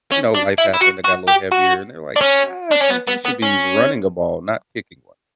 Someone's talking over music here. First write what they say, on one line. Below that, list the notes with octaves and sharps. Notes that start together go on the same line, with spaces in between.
you know, life happened, I got a little heavier, and they're like, "I think he should be running a ball, not kicking one."
C#4
D4
E4
E4
F#4
F#4
G4
F#4
D4
C#4
D4
C#4
B3
B3
B3
C#4